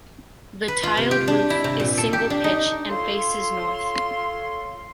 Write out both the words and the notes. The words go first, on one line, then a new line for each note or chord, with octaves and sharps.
The tiled roof is single pitch and faces north.
B4
F4
C3
G4
D4
E4
C3
A#2
A4
G4
D4
D#4
F4 A4 C#5 C6